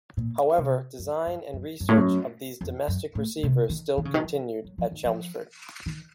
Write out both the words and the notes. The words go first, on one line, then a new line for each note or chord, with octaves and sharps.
However, design and research of these domestic receivers still continued at Chelmsford.
A#2
C3
F#2
F#2
F#2
F#2
A2
F#2
F2
F#2
A2
C3
D#3
D#3
C#3
D#3
F3
F#3
F3
D#3
F3
D#3